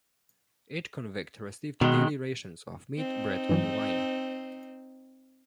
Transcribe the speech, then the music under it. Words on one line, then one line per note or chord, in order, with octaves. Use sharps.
Each convict received daily rations of meat, bread, and wine.
B2 D#3 G#3
C4 D#4
G2 E3 F#3